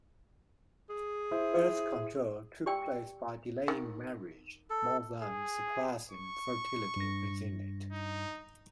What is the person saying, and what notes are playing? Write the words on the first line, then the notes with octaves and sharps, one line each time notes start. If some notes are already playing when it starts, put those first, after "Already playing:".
Birth control took place by delaying marriage more than suppressing fertility within it.
G#4
E4 C5
G4 D5 G5 E6
D#3
A4
G#4
C#6
G2 A#6
D#4